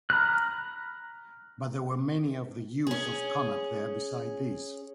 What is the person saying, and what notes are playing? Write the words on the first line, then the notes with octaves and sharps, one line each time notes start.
But there were many of the youth of Connacht there besides these.
A#5 B5 F6 F#6
C#4 G#4